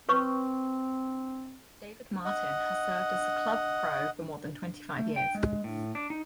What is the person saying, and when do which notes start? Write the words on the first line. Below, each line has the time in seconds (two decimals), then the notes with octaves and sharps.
David Martin has served as the club pro for more than twenty-five years.
0.09 C4 B4 C#5 C#6
2.25 D#5 F#5
4.99 A3
5.16 G5
5.35 G#3
5.64 A2
5.95 D4
6.10 D#4